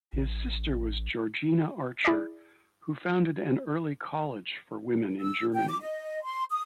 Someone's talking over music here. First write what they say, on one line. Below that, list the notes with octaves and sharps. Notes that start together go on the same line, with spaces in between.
His sister was Georgina Archer who founded an early college for women in Germany.
A1
E4 G#4 D5
E6
G5
D6
D#5
C6
D#6